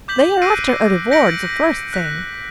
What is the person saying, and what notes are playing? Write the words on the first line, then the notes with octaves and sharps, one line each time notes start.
"They are after a reward the first thing."
D6 G6 B6 F#7
E6 F#6 A#6 C7 D7 D#7
G6 A#6 B6 C#7 D7 F#7
F#6 B6